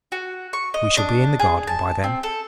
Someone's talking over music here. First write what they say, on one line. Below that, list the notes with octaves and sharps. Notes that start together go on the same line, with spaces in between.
We shall be in the garden by then.'
F#4
C#6
D#5
D4
G#4
A5
C4
A4